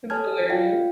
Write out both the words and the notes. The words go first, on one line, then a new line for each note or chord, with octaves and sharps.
That's hilarious.
A4 C#5 G#5 A5 F6 G#6
F4 D5 F5 G5